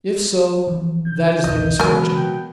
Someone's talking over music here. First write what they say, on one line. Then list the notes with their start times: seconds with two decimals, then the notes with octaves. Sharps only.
If so, that is their misfortune.
0.67 E3 F3
1.08 G6
1.44 B1 E2 A#2 D#5
1.80 B2 D3 E3 F#3 G#3 A#4 B4 G#5
2.16 G5